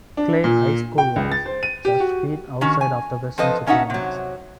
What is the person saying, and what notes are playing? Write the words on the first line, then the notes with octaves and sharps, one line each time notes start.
Clay High School lies just feet outside of the western city limits.
D4
A#2
G5
C#2
A6
C5
D#7
G4
F#4
D#3 C#4 F#4
G#5
F3 C4 A4 B4 D#5
C#3 C#4 D#4 E5 F#5
C3 F#3